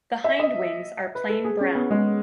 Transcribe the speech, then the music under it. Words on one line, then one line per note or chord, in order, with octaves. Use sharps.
The hindwings are plain brown.
E5
D#5
B4
A4
G#4
C#4
B3
G#3